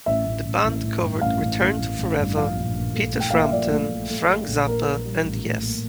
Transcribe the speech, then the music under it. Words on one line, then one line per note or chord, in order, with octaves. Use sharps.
The band covered Return to Forever, Peter Frampton, Frank Zappa and Yes.
A1 E5
A1
A1
A1
A1
G2
A1 F5
A1
A1
A1
A1
G2
F3 F5
A#1
A#2
A3
A3
G5
A#2 F5
E5
F3 D5
A3
A3
A3
A3
A#1
A#3 A#4
A#3
G3
A1
A2
A#3